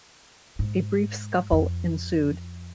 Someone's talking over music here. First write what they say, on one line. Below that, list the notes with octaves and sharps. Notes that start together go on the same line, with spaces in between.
A brief scuffle ensued.
G#2
F2